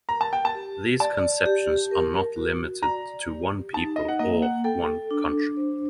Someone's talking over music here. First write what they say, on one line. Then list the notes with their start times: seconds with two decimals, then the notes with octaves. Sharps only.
These conceptions are not limited to one people or one country.
0.09 A#4 A#5
0.21 A5
0.33 G5
0.45 A5
0.55 G4
1.00 D5 A5
1.46 G4
1.91 A#4
2.36 F#4
2.82 D5 A#5
3.28 G4
3.73 D#4 A5
3.96 D#5
4.08 F#5
4.19 A#3 D#5
4.42 F#5
4.64 A4 G5
5.11 D4
5.57 C5